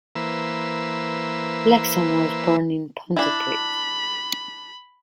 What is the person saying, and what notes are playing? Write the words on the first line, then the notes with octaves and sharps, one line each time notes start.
Laxon was born in Pontypridd.
E3 A#3 B4 C5 E6
D4 E4 B5